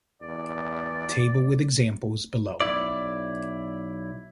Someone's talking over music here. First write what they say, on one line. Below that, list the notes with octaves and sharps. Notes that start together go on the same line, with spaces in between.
Table with examples below.
E2 D5
B1 B2 E4 D5